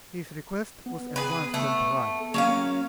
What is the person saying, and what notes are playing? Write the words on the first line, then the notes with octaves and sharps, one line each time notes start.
His request was at once complied with.
B3
G#4 B4
A3
F#3 A#3 C#4 F5